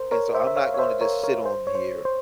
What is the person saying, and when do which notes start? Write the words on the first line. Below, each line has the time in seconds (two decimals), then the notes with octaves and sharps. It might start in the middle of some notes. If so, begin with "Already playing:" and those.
and so, I'm not gonna just sit on here,
Already playing: A#4 C5
0.12 A#4 C#5
0.35 C5 E5
0.47 E5
0.56 C#5 F5
0.74 C#5
0.78 C5 E5
1.01 A#4 C#5
1.24 A#4 C#5
1.46 C5
1.67 C#5
1.75 C5
2.05 C5